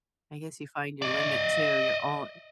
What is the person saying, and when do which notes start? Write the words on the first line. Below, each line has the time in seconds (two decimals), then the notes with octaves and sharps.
I guess you find your limit, too, you're all
1.02 D5 D#5